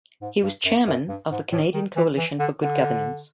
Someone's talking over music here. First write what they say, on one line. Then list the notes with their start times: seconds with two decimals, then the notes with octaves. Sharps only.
He was Chairman of the Canadian Coalition for Good Governance.
0.21 G#2
0.43 G2
0.65 F#2
0.87 F#2
1.09 G2
1.31 G#2
1.52 A2
1.74 D#3
1.96 E3
2.17 E3
2.39 D3
2.61 D3